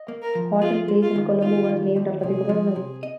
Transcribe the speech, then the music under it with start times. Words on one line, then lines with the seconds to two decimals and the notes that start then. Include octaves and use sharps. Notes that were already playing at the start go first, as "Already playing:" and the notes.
Horton Place in Colombo was named after the Governor.
Already playing: D#5
0.08 A#3
0.22 A#4
0.35 F3
0.62 F4 G#4
0.88 G#3
1.02 F4
1.16 D#3
1.42 D#4 F4
1.69 D#3
1.96 D#2
2.23 C3 G#4
2.49 F3
2.76 C3
3.03 D#5